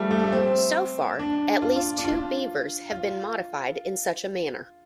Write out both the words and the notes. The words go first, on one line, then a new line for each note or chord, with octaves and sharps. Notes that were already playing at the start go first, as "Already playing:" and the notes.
So far, at least two Beavers have been modified in such a manner.
Already playing: F3 G3 A3
A3
A3
C4
D4
F4
F4
D4
F4
F4